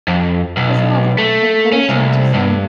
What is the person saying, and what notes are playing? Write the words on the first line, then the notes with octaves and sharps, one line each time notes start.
His mother encouraged him to sing.
F2
B1
A3
C#4
C2
G2